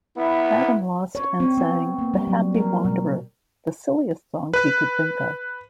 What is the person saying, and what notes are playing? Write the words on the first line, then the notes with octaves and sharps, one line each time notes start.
Badham lost and sang "The Happy Wanderer", the silliest song he could think of.
B3 E4
C#5
C4
B3
A#3
G3
F#3
A#4
B2
B4